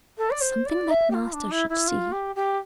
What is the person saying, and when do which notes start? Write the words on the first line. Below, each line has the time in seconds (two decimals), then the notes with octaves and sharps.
"It's something that master should see."
0.18 A4
0.31 D5
0.41 C5
0.66 D5
0.90 E5
1.11 G4
1.14 F4
1.33 D4
1.51 E4
1.69 E4
1.88 F4
2.12 G4
2.36 G4